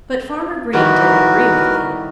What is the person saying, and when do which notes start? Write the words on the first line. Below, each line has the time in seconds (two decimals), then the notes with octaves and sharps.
But Farmer Green didn't agree with him.
0.73 A2 D#3 G3 F#4 A#4 B4